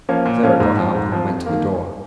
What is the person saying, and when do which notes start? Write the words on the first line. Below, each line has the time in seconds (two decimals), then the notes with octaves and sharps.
Sarah got up and went to the door.
0.09 F3 A#3 C#4
0.25 A#2
0.43 F3 A#3 C#4
0.60 G#2
0.77 F3 C4
0.95 G#2
1.12 F3 C4
1.29 F2
1.46 D#3 A#3